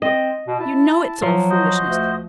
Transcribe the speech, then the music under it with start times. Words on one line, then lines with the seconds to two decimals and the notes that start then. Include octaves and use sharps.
You know it's all foolishness.
0.02 C4 D#5
0.47 B2
0.60 E4 A5
1.22 F3 F#3
1.50 F#4 C5 D#5
1.84 D2